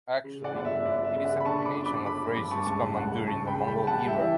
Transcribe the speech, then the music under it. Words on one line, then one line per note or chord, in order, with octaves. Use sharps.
Actually, it is a combination of phrases common during the Mongol era.
C#3
D5 F#5
G1
E5
G1 D5
E5
C#3
D5 F#5
B5
D3 A5 C#6
B5 D6
G1
B5 D6
G1 B5 D6
G2 B5 D6
A5 C#6
C#2 A5 C#6
C#2 F#5 A5
C#3 A5 C#6
G5 B5
C#2
G5 B5
G3 F#5 A5
E5 G5
E3